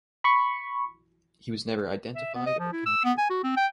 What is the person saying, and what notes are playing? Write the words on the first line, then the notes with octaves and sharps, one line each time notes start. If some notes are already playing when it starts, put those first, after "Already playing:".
He was never identified or captured.
B5 C#6
E5
B3
D#5
F3
E4
E6
B3
G#5
F#4
C4
G5